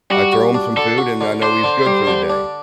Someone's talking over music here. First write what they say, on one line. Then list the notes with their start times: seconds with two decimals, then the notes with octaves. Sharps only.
I throw him some food, and I know he's good for the day.
0.10 G3 F#4
0.33 F#4
0.54 D4
0.77 D3 A4
0.98 F#4
1.21 D3
1.42 D4 C5
1.64 D3
1.86 G3
2.07 D3
2.30 D4